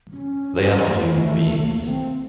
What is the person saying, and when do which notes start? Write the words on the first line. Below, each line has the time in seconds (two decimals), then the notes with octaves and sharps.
They are not human beings.
0.12 C#4
0.87 A#3
0.91 A3
1.62 A#3
1.87 C4